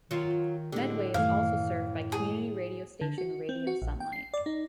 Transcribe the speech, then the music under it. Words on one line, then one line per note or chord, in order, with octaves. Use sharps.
Medway is also served by community radio station Radio Sunlight.
D#3 F#3 F4
A2 D3 G#3 G4
F#2 D#3 E3 A3 F5
G#4
D3
F#4
C4
F#4
A#1
G5
C7
D5
D#4